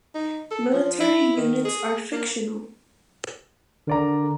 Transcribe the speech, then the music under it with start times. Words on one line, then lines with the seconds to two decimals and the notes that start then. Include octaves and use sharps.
Military units are fictional.
0.14 D#4
0.51 A4
0.73 F3
1.00 E4
1.37 D#3
1.64 G#4
2.12 A#3
3.87 D3 A#4 D5 A#5